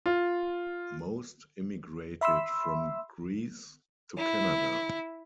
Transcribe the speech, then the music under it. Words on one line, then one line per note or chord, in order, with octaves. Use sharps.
Most immigrated from Greece to Canada.
F4
E5 B5 C6 E6
E4